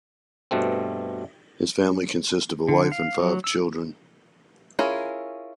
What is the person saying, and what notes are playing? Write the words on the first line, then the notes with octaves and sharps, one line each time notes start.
His family consisted of a wife and five children.
G2 B2 A3 C4
D3
F5
F#3
E6
C#4 E4 F4 G#4 A#4